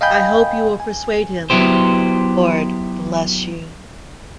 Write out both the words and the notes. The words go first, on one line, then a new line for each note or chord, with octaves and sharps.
I hope you will persuade him, Lord bless you.
D#5 F5 G5 G#5 B5 G6
G#5
F#3 B3 E4 G4 C5